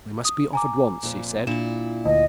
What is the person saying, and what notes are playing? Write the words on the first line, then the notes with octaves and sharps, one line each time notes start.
"We must be off at once," he said.
D#6
G#5 A#5 D6
F2 A#2
A#2 D4 E4 E7
D2 D#5